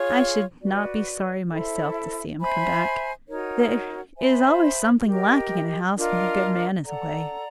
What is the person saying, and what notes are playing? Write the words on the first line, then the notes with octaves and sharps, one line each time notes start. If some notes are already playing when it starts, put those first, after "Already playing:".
'I should not be sorry myself to see him come back--there is always something lacking in a house when the good man is away.'
Already playing: F4 G#4 C#5
F#4 B4 D5
E4 A4 C5 E5
C5 E5 G#5 B5
D#4 F#4 A#4 C#5
C5 E5 G#5 B5
G4 A#4 D#5
D4 F4 A#4 D#5
A4 D5 F#5 A#5